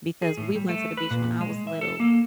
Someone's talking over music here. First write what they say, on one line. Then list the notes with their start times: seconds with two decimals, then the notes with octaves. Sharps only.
because we went to the beach when I was little,
0.22 G#4
0.37 A2
0.56 G3
0.69 A3
0.97 B4
1.11 A#2
1.41 G#3
1.67 E5
1.81 A4
2.00 A#3